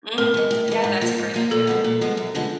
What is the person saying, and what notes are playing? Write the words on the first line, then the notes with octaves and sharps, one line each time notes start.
Mm, yeah, that's a great idea. Mhm.
A2 A#4
E3 G#3
A2
E3 G#3
G#2
F3 A#3
G#2
F3 A#3
A#2 A4
F3 G#3 B3
A#2
F3 G#3 B3
F#2
D3 F3 G#3 B3